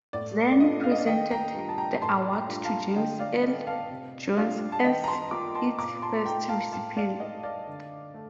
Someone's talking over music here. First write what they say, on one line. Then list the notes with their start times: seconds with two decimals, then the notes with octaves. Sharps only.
Glenn presented the award to James Earl Jones as its first recipient.
0.13 A2 D5
0.52 D5
0.60 A3 D4 F4 D#5
0.84 F5
0.92 D#5
0.99 D5 F5
1.07 D#3 D#5 G5
1.31 G5 A#5
1.55 G3 D4 F4
1.69 A5
1.78 G5 A#5
2.01 A2 A5 C6
2.33 G5 A#5
2.49 G3 D4 F4
2.65 F5 A5
2.96 D3 D#5 G5
3.19 D5 F5
3.43 A3 D#4 D#5
3.67 F5 A5
3.90 C3
4.37 G3 D4 F4 D5 F5
4.72 A5
4.84 D#3 D#5 G5
5.04 A#5
5.08 A5 C6
5.31 A#3 F4 A#5 D6
5.55 A5 C6
5.78 A#2 A#5 D6
6.02 A5 C6
6.16 C6
6.26 A3 D#4 G5 A#5
6.49 F5 A5
6.73 A2 F5 A5
6.97 D5 F5
7.20 A3 D#4 D#5
7.43 D5 F5
7.67 D3
8.14 A3